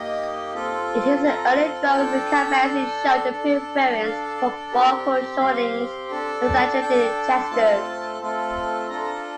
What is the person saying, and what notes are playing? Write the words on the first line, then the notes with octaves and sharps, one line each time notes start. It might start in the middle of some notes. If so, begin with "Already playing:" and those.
In his early drawings Cambiasi showed a preference for bold foreshortenings and exaggerated gestures.
Already playing: A#3 D#4 G4 D#5
C4 F4 A4
C4 F4 A4 A#5
D4 A4 G5
D4 A4
D4 A4
D4 A4 F5
D5
C4 G4 A#4
C4 G4 F5
D4 A4
D4 A4 G5
A3 C4 F4 A4 A5
G5
A5
A3 C4 F4 A4
D4 F4 A4 A#5